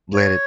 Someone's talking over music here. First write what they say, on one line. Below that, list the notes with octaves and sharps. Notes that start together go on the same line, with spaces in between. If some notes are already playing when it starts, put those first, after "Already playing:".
let it
C#5